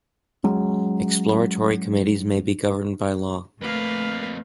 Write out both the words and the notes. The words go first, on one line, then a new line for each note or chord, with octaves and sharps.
Exploratory committees may be governed by law.
F#3 G#3 C#4
F2 A3 A#3 B4 F5